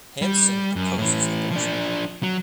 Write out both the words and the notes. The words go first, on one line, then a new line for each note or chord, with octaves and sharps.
Hansen opposes abortion.
G3
F#2
A2 E3
F3 D4
F#3